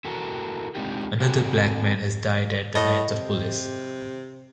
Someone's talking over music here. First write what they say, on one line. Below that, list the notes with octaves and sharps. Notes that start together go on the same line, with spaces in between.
Another Black man has died at the hands of police.
E4 F#4 A4 A#4
G#3 C4 D4 D#4 F4 G4
C4 D4 F#4 G#4 A4 C#5
A2 D#5
C3